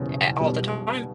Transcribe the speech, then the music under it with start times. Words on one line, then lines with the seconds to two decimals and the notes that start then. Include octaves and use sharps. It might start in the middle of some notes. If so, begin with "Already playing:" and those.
Eh, all the time.
Already playing: F#1 E2 B2 G3 C#4
0.40 B1 B2 G3